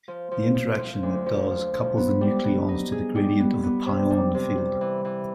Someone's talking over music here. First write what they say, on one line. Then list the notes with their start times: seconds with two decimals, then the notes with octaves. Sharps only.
The interaction that does couples the nucleons to the "gradient" of the pion field.
0.08 F3
0.31 F3
0.55 F3
0.78 F3
1.03 D2
1.26 F3
1.50 F3
1.74 F3
1.97 B3
2.21 G3
2.45 B3
2.68 D#4
2.92 G#4
3.15 G3
3.40 B3
3.63 B3
3.86 C3
4.10 G3
4.35 C3
4.58 G3
4.81 E3
5.05 E3